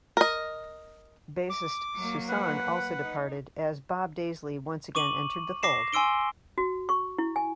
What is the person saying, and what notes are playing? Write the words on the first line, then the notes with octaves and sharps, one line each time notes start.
Bassist Soussan also departed, as Bob Daisley once again entered the fold.
A#4 D#5
D6
F#3 A#3
B4 F#5
D#4
C#6 D6 D#7 F#7
D6 A#6 C7 E7
G#5 C6 E6 D7 G7
F#4
C#6
E4
G#5